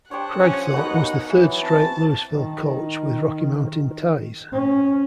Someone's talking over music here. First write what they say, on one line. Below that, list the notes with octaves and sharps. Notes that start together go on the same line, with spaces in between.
Kragthorpe was the third straight Louisville coach with Rocky Mountain ties.
D4 G4 C5 C#5 F#5
F3 C#4 G#5
D#2 B3 D#4 F#4
E3 F#3
C4 A5
D#3
C#4